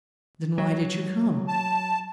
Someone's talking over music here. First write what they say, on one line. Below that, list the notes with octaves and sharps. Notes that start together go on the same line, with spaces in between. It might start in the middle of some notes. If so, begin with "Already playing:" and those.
"Then why did you come?"
F#3
A5